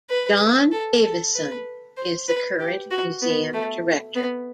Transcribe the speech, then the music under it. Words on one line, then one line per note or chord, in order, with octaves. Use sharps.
John Davison is the current museum director.
B4
A4
A4
B4
C5
B4
G4
F#4
B3
A3
B3